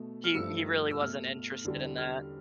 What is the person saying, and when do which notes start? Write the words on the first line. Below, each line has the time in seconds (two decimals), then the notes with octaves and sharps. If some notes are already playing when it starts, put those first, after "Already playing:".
he he really wasn't interested in that.
Already playing: B2 A3
0.24 F6
0.35 G2 F3 A3 E6
0.91 E6
1.00 B2 A3 F6
1.65 E2 D3 G3
1.98 F6